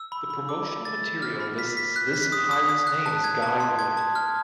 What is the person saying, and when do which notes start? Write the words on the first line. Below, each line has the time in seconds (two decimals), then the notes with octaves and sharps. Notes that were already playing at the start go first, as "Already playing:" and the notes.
The promotional material lists this pirate's name as Guy Wood.
Already playing: E6
0.12 B5
0.30 B5
0.49 D6
0.67 D6
0.85 A6
1.03 A6
1.22 F6
1.40 B5
1.59 B6
1.77 B6
1.96 F#6
2.14 B6
2.32 D#6
2.51 D#6
2.69 D#6
2.87 F#6
3.06 A5
3.24 G#6
3.42 A5
3.60 C6
3.79 G#6
3.97 A5
4.15 F6